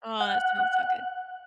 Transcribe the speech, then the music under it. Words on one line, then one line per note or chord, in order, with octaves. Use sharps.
Oh, that sounds so good.
F#5